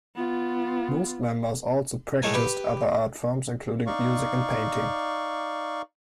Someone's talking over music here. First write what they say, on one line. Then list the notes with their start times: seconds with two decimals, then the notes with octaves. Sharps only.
Most members also practiced other art forms including music and painting.
0.15 B3 F4
2.22 A2 G#3 A3 A#4 G#5
2.34 G4 B4
3.86 D#4 D5 F5 C#6